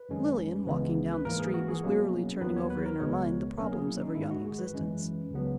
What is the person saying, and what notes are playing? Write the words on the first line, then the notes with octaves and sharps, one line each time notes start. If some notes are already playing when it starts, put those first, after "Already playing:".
Lilian, walking down the street, was wearily turning over in her mind the problems of her young existence.
Already playing: B4
F#2 D#3 G#3 C#4
C#2 C#3 E3 G#3 B3
B4
G#2 E3 A#3 A#4
G#4
F#4
G#4
B2 F#3 A#3 C#4
D#2 D#3 F#3 B3 B4
C#5
B4
A#4
C#2 B2 G#3 B3 C#5
B2 F#3 A#3 C#4 A#4
G#4
E4
D#4
G#2 D#3 G#3 E4
F#4
G#4
B4
F#2 E3 G#3 C#4
C#2 C#3 F#3 B3